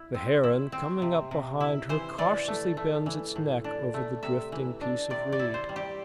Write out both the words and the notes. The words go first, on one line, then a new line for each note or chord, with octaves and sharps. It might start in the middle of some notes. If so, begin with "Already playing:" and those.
The heron, coming up behind her, cautiously bends its neck over the drifting piece of reed.
Already playing: E4
C4
E4
C4
C3
C3
E4
E3 C5
E3 D5
A3
A3
E3
A2
D4
A3
C3 E5
E3
D4
C3 D5
D5
E4
C5
G3
G4